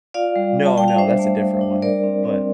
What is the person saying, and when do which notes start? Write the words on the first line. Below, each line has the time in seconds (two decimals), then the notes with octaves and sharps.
No, no, that's a different one, but
0.14 F4 D5 F5
0.36 G3
0.57 G3
0.66 A5
0.77 G3 G5
0.88 F5
0.98 D4 C5 E5
1.19 A3
1.41 A3
1.61 D4
1.82 G3 A#4 D5
2.04 C4
2.25 C4